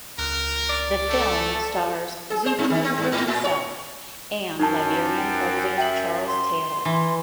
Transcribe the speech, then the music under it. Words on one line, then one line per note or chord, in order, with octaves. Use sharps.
The film stars Zubin Cooper himself and Liberian president Charles Taylor.
C#2 A#4 F#6
D5
A3 A4
D5
G#4
C5
G2
D#3
C4
G2
G#2
A2
C#5
F#2 D#4 A5
G5
E5 G5 F#7
C6
E3